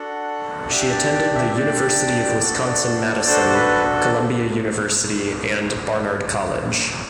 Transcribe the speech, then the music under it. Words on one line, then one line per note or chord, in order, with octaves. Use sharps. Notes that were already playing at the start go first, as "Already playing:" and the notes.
She attended the University of Wisconsin-Madison, Columbia University and Barnard College.
Already playing: D4 F#4 A4 F#5
D4 G4 E5
D5
D5
E5
D4 G4 D5
D4 F#4 A4
D4 F#4 A4 C5
C5
B4